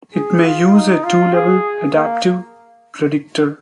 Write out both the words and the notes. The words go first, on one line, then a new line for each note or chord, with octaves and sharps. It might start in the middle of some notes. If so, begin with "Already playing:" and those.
It may use a two-level adaptive predictor.
G#4
F4
D#4
F4
G#4
A#3